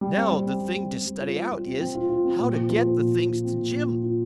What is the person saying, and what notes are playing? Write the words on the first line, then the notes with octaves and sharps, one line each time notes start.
"Now, the thing to study out is, how to get the things to Jim."
G3
C4
G3
C4
G3
G3
C4
G3
F4
F4
F4
C4
C4
F4
F4
C4
A#2
F3
F3
F3
A#2
A#2
F4
C4
A#2
A#2
F4
F4